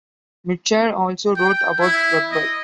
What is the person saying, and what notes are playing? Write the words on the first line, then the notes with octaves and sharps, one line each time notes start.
Mitchell also wrote about rugby.
G5
E4
D#5